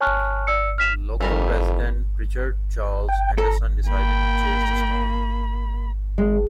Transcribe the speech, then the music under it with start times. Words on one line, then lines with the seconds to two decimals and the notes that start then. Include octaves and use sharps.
Local resident Richard Charles Henderson decided to chase the storm.
0.01 C#5 G#5 A5 C#6 F6 F#6
0.47 D5 E6 C#7
0.78 F6 B6 E7 F7
1.21 F2 E3 G3 A#4
3.09 G5
3.38 A4 A#5
3.86 A#3 G5 B5
6.18 G#3